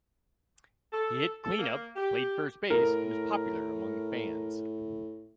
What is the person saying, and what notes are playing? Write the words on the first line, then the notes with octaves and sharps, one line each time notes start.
He hit cleanup, played first base and was popular among fans.
A4
A4
A#3
G4
A2 A#4